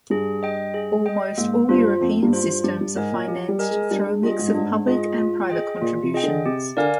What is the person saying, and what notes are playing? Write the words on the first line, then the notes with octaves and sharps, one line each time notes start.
Almost all European systems are financed through a mix of public and private contributions.
G2 G#4
D#5 G5
G#4
D#5 G5
G#2 A#3
G2 F4 C5
F2 A#3
G2
F4 C5
G2
G2 G4
G2
G#2 A#4 D#5 G#5
A#2
F3 G4
G3
A#4 D#5 G#5
G#3
G3 D4
G#3
G3 F4 G#4 D#5
G#2
G2
G#2 D4
F4 G#4 D#5
F4
G#4 D#5 G5
A#2 F4
C3
G#4 D#5 G5
D3
C3 G4
D3 A#4 D5 F5 G#5